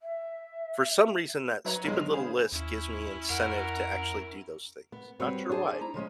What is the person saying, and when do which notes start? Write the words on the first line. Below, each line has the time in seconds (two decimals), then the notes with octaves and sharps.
for some reason, that stupid little list gives me incentive to actually do those things. Not sure why.
0.02 E5
1.65 F#3 B4 C#5 A#5
1.84 B1 G#3
1.97 D3 F7
2.13 G#4 C5 F5 B5
2.52 D#2 C#4 E4
3.30 F2 A#4 F#5
4.92 B3
5.20 G3 C4 F#4 B4 C#5
5.49 D4 E4 G#4 C5 A5
5.81 E4 A#5
5.94 D3 F3 G#3 C#4